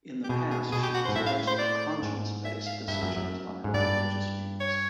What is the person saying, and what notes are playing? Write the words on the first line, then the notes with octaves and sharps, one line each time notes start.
In the past she has based her conscience-based decisions on her religious views.
G4
B2 G#4
G#4
B2 G#4
G4
F#4
C5
G#2
A2 E5
F5
C5
D5
G#2
E5
F5
G2 E5
F#2
F#2
G#2
G2 D5
C#5